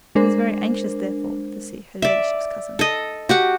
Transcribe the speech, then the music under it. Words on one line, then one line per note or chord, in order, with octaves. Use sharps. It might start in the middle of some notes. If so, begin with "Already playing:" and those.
He was very anxious, therefore, to see "her leddyship's" cousin.
G#3 D4 A#4 C5
D5 E5
A4 D#5
F#4 G4 F#5